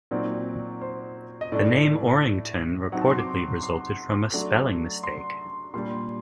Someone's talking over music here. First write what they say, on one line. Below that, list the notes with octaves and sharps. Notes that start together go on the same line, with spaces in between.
The name "Orrington" reportedly resulted from a spelling mistake.
A#2 F#3 C4 D#4 D5
C5
D#5
A2 A3 D4 D5
F#3 C4 D#4 F#5
A5
C6
D6
C6
F#3 A3 D4
C6
A#2 G3 A#3 D4 C6